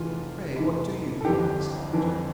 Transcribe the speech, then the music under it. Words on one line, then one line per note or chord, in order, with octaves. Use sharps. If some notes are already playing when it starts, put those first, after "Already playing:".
"Pray, what do you think it is, doctor?"
Already playing: F1 E2 E3 F4
F1 E2 E3
A4
G1 F2 E3 G4
G1 F2 E3